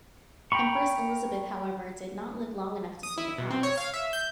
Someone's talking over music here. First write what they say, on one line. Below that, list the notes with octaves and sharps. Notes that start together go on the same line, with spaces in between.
Empress Elizabeth, however, did not live long enough to see the palace.
G5 A#5 B5 C#6
D#6
E4
B2
C4
C#5
F5
E5
G6